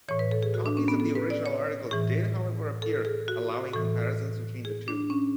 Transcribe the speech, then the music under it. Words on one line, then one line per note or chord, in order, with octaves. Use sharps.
Copies of the original article did however appear, allowing comparisons between the two.
A2 E3 C#5
B4
A4
G#4
F#4
D4
C#4
B3
A4
B4
D5
C#5
A2 E3 G#4
A4
G#4
F#4
A2 E3 A4
G#4
D4
C#4